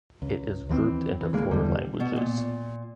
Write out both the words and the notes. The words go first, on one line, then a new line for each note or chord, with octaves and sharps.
It is grouped into four languages.
C#2
D#2 E3 A#3 C4
E3
D2 G#3 A#3
E1 E2 D3 G3
B2
A#2